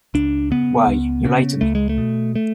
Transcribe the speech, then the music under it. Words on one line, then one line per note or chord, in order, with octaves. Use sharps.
Why, you lied to me.
C#2 D4
C#3 B3
C#2
C#3
C#2 A3
G#3
A3
B2
A3